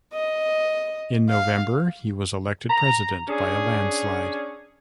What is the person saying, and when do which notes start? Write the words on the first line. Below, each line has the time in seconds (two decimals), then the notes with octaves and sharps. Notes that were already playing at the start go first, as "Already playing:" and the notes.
In November he was elected President by a landslide.
0.14 D#5
1.29 F5
2.69 A#5
3.29 C#4 D4 G#4